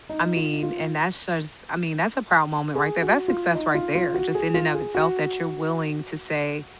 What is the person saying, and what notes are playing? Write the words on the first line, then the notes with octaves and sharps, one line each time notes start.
I mean, and that's just I mean, that's a proud moment right there; that's success right there, just in and of itself that you're willing to say,
D#4
F4
D#4
F4
G#4
F#4
F4
D#4
F4
F4
F#4
G#4
F4
G#4
F#4